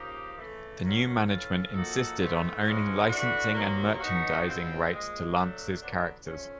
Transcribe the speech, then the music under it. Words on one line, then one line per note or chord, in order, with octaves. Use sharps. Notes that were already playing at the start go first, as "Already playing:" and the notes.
The new management insisted on owning licensing and merchandising rights to Lantz's characters.
Already playing: C#3 F3 A#3 D#4 G4
C#3 E3 A3
F#2 D#3 F#3 A#3 C#4
A2 E3 A3 C#4 F4
F3 A#3 D#4 F#4 A4
G#2 E3 A3 C4 F4
C#3 F3 G#3 C#4 F#4
E3 A3 D4 F#4
C3 D#3 F#3 A#3
B2 F#3 B3 D#4 F#4
B2 G#3 C4 F4
A#2 F3 G#3
F#3 A3 D4
D3 F#3 B3 D4
F3 A3 C#4